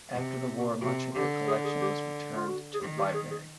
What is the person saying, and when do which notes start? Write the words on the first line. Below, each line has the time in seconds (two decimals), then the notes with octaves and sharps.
After the war much of the collection was returned to the library.
0.14 C3 B3
0.36 C4
0.59 F#4
0.81 C3 F#4
1.14 D3 G4
1.48 G#4
1.64 G#4
1.82 G4
2.36 F4
2.47 F#4
2.74 G#4
2.80 D#3 G4
2.97 G4
3.14 G#4
3.31 G#4